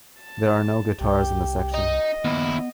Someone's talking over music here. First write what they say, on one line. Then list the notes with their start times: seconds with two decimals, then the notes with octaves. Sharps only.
There are no guitars in this section.
0.21 A5
1.01 C2 G4
1.74 D#4 D#5
2.25 D#2 B3 E4